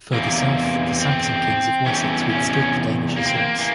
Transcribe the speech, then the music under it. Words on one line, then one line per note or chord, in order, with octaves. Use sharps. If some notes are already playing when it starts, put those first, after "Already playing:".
Further south, the Saxon kings of Wessex withstood the Danish assaults.
E2 C3 E3 A#3
C4
E2 C3 E3 C#4
C#4
A#3
C4
A#3
E3 A#3